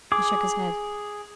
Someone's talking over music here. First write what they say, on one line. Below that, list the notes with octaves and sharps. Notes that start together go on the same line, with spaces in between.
He shook his head.
G#4 D6